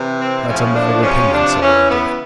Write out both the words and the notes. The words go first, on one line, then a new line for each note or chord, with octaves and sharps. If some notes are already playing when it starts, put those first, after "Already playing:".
'That's a matter of opinion,' said Loveday.
Already playing: C3 E3
C4
A2 F3 C#4
D4
C3 F3 C#4
D4
C#3 E3 C#4
B3